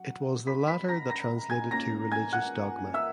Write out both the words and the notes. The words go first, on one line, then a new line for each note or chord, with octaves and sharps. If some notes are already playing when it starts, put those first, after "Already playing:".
It was the latter that translated to religious dogma.
Already playing: F#3 F#5
B5 B6
B5 B6
A#5 A#6
A#5 A#6
G#5 G#6
A#2 A#3 C#4 A#5 A#6
G#5 G#6
F#5 F#6
E5 E6